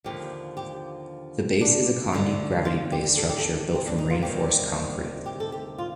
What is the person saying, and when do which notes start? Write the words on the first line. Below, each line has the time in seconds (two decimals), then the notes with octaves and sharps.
The base is a Condeep gravity base structure built from reinforced concrete.
0.04 D#2 D3 F3 G4
0.57 G4
1.61 D4
2.13 D2 D3 G3
2.65 F4
2.92 G4
3.17 A4
3.29 G4
3.39 A4
3.75 C4
3.87 D4
3.98 D#4
4.10 F4
4.22 D2 C3 D#3 G3 G4
5.26 G4
5.40 A4
5.52 G4
5.78 F4